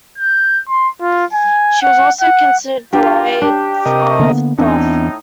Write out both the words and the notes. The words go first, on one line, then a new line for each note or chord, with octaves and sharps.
She was also considered the wife of Thoth.
G6
C6
F4
G#5
F#5
F#5
E2 D4 F4 G4
D4 G4
C3 A#4 D#5
D3 A#3 B3
E2 A2 B3 C4 D4 D#4